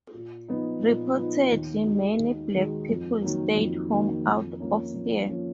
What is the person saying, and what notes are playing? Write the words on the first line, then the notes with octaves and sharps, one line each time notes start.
Reportedly many black people stayed home out of fear.
A#2
F3 B3 D#4
A#2
F3 B3 D#4
D#2
D#3 G#3 D#4 F#4
D#2
D#3 G#3 D#4 F#4
F2
D#3 F#3 A#3
F2
D#3 F#3 A#3
F2
F3 A#3 C#4
F2
F3 A#3 C#4